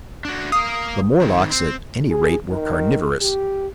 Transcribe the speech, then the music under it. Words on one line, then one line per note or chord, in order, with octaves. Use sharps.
The Morlocks at any rate were carnivorous!
D4 F#4
A#4 F5 D#6
D#3 C4
C4
G#4
D#3
G4